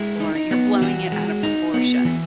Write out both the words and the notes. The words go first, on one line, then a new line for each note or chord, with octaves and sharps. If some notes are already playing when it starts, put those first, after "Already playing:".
or, "You're blowing it out of proportion."
Already playing: G#3 E4
D#4
D#4
B3
E3 F#4
G#3
D#4
B3
E3